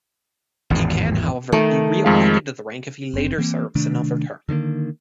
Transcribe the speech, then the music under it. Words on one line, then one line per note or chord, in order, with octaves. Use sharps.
He can, however, be re-appointed to the rank if he later serves another term.
G#1 E2 A2
D#3 A3
F2 G#3 F5
F#1 C4
E3 A#3 C4
C3 D#3 A3 D4
D3 D#3 A3 A#3